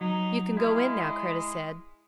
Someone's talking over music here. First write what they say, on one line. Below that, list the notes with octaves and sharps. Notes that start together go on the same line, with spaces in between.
"You can go in now," Kreta said.
F#3 D#4
G#3 E4 F5